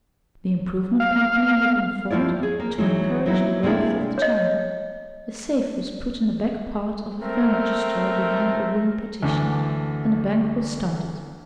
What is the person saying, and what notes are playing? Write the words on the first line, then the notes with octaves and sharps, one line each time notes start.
The improvement company had been formed to encourage the growth of the town. A safe was put in the back part of a furniture store behind a wooden partition and a bank was started.
F5
D#2 E3 F3 E4 D5
G#4
A#3
E3 F#3 G#3 D#4
F#3 A#3 D#4 E4
C3 G#3 A#3 D4 E4
C#5 D#5
A3 C4 A#4
D2 D3 E3